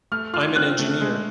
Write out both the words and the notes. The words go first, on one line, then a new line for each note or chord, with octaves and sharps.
I’m an engineer.
A3 F6
F4 F6
C4 F#6
A3
G#3